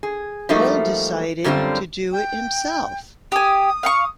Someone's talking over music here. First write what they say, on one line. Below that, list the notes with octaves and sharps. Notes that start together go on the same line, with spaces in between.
Cole decided to do it himself.
G#4
F3 G3 A3 A#3 D#4 F#4
F#2 D3 G3 C4 F4
G5
G4 G#5 D#6
F5 G5 C#6